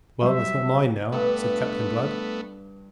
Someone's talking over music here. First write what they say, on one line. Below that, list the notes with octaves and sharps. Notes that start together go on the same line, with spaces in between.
"Well, it's not mine, now," said Captain Blood.
F#3 G3 C5 E5
G2 A3 B3